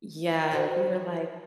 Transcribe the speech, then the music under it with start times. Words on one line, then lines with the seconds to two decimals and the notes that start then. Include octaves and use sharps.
Yeah, we were like,
0.51 F#4 B4 C5